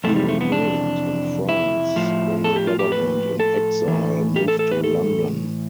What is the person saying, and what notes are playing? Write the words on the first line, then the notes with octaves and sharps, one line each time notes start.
He remained in France when the government in exile moved to London.
F2 C3 E3 A3
G3
A3
B3
D4
E4
A2 F3
A4
G4
F4
G4
B4
A4
A2 E3
G4
A4
A4
B4
A4